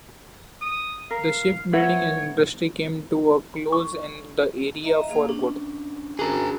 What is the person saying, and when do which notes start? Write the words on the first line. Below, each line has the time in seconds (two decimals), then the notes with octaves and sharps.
The shipbuilding industry came to a close in the area for good.
0.62 D#6
1.11 A#4 F5
1.73 B4 C#5 E5 F#5
3.72 C#6
4.84 D#5 E5 A#5
5.08 A#3 G#4 F5
5.29 C#4 D4
6.19 C#4 D4 F#4 G#4 A#4